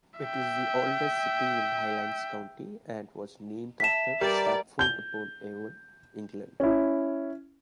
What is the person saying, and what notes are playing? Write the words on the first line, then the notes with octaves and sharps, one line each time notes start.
It is the oldest city in Highlands County, and was named after Stratford-upon-Avon, England.
E5 G5
E5 A5 B6 E7
G3 A#4 B4 D5
G6 G7
C#4 E4